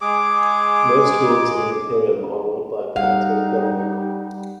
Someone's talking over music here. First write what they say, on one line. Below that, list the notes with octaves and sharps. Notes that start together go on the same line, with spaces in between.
Most worlds in the Imperium are ruled by a planetary governor.
G#3 G#4 D6
G3 D#4 F5 F#5